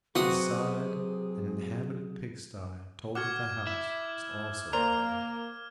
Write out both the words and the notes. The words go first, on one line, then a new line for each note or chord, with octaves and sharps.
At the side an inhabited pig-sty told that the house was also inhabited.
C3 F#3 F#4 G#4 B4 D#6
F#4 F#5 D6 F6 G#6
E4 E5
A#3 A#4 C5 D5 A#5 F6